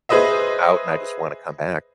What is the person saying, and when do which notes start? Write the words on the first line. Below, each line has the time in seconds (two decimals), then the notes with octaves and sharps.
out and I just wanna come back.
0.09 G#4 B4 C5 D#5 E5